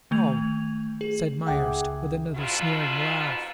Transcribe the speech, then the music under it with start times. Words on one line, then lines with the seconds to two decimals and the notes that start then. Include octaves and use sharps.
"Oh!" said Myerst, with another sneering laugh.
0.11 D#3 A3 G#6 F7
1.01 G#4
1.47 C#2 G#4 E5 F#5 G5 D6
2.36 F2 G#2 B2 E4 F4